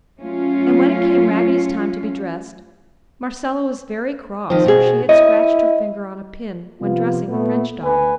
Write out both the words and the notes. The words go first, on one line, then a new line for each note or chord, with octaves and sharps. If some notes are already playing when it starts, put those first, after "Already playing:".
And when it came Raggedy's time to be dressed, Marcella was very cross for she had scratched her finger on a pin when dressing the French doll.
F#3 A3 C#4 F4
D#3 F3 C4
B2 G#4
E4 C#5 D#5
C3 F3 B3 F4
A#2 A3 B3
D2 B4 G#5